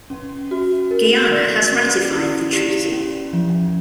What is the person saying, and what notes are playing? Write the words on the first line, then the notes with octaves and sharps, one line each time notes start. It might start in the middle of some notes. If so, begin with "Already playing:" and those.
Guyana has ratified the treaty.
C#4
F#4
A#4
D5
C#4
E4
G4
C#4
F3